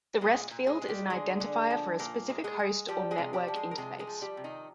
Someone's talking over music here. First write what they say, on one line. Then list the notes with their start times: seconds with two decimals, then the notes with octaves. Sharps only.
The rest field is an identifier for a specific host or network interface.
0.21 A#2 G#3 G#4
0.51 A#2
0.67 G#3 G#4
0.82 G#3
0.88 G3 G4
1.10 D3 G#3 G#4
1.40 D3
1.70 F3
1.99 A#2 A#3 A#4
2.29 G#3
2.44 G#3 G#4
2.59 G#3
2.88 F3 G3 G4
3.11 G#3 G#4
3.18 C3
3.33 G3 G4
3.48 F3
3.55 G#3 G#4
3.71 A#4
3.78 C3 G#3 G#4
3.99 G#3 G#4
4.07 F3
4.21 G3 G4
4.37 C3
4.44 D#3 D#4